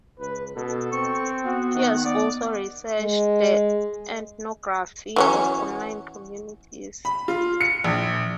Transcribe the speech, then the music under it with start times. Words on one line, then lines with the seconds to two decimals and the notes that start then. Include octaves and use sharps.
She has also researched the ethnography of online communities.
0.19 C#2 B4
0.56 B2 A4
0.93 C4 C#6
1.44 B3 F#4
1.75 D#3 F#5
2.04 B3 D5
3.00 G#3
5.16 E3 F#3 C#4
7.05 B5
7.28 F4
7.61 C#7
7.84 A#1